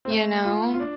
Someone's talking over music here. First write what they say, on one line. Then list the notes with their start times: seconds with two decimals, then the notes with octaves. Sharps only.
You know?
0.05 C4
0.10 A3
0.45 F4
0.74 F4
0.80 D4